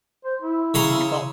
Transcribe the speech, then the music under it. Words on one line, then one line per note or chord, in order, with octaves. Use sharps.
you felt
C5
E4
C#3 A#5 C6